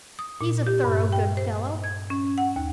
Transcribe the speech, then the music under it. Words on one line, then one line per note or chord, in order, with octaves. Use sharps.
He's a thorough good fellow.
D#6
A#2
G4
G2
G5
C5
G#6
C#4
F#5
D#2